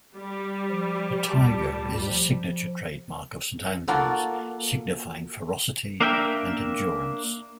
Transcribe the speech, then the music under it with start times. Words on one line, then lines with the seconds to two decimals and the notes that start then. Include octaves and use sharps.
The tiger is a signature trademark of Saint Andrew's, signifying ferocity and endurance.
0.16 G3
0.70 F3
1.35 D2 A#2 A5
2.10 F3
3.88 A#3 F4 F#4 A4
6.00 A#3 D4 A#4 E5 G5